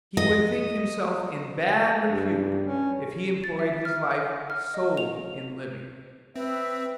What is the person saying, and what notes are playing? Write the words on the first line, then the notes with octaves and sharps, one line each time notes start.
He would think himself in bad repute if he employed his life solely in living.
D#5
G2
C#4
A6
E5
F6
F#5
F6
D#5
F7
C4 B4 E5